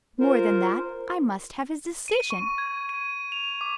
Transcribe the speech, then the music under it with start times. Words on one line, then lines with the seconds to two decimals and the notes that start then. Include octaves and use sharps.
More than that, I must have his decision!
0.20 F4 A#4 C5
2.08 D#7
2.30 C#6
2.58 G#6
2.89 D#7
3.32 F7
3.61 D6